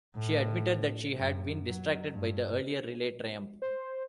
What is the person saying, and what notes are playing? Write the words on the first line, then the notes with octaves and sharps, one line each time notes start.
She admitted that she had been distracted by the earlier relay triumph.
A2
F#2
F#3
G2
C5